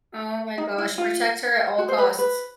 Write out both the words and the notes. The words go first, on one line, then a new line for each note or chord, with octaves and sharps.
Oh my gosh. Protect her at all costs.
D#4
E4
F4
F#4
C5
B4
B4